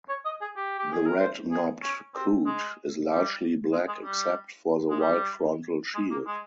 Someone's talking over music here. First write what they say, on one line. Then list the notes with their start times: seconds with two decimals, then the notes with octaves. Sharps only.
The red-knobbed coot is largely black except for the white frontal shield.
0.09 C#5
0.25 D#5
0.41 G#4
0.56 G4
0.78 G4
0.92 G#4
1.06 A#4
1.19 C5
1.51 G#4
1.83 C#4
2.15 C4
2.46 G#3
3.09 G3
3.73 G#3
3.88 G#3
4.04 G3
4.90 G#3
5.00 G3
5.95 G#3
6.11 A#3
6.27 G#3